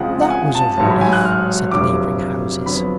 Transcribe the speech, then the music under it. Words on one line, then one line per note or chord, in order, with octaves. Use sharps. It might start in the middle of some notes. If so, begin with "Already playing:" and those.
"That was a relief," said the neighboring houses.
Already playing: F2 C#3 F3 G#3 F#5
F#5
G#5
A5
A1 G#2 F#3 A5
B5
G#5
F#6
F6
F1 F2 D3 F#3 D6
F2 D3 F#3 B3 B5